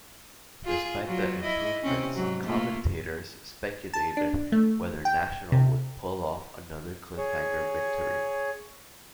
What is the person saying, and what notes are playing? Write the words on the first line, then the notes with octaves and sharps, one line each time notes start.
Despite the improvements, commentators speculated whether National would pull off another cliffhanger victory.
F4 G#4
F#3 F4
E4 D#5
C3 C4 C#4
G#2 F#3
A3 A#3 F4
A5
D4
A3
G5
C3
G#4 C#5